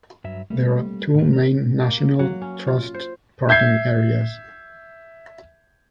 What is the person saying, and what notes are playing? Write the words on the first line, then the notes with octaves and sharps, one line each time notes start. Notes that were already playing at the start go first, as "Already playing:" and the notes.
There are two main National Trust parking areas.
G2 F#3 E5
G3 A3 A#3 C4
A2 D#3
A#4
A#3
F#3
C#4
F4
C5
E5 G6 G#6 C7